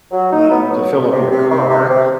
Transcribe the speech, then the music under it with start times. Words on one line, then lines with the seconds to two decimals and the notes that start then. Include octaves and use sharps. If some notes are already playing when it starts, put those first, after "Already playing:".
uh, to fill up your car,
0.12 F#3
0.31 D#4
0.50 B3
0.70 F#3
0.91 B2
1.10 C3
1.30 C3
1.49 C3
1.69 C3
1.89 C3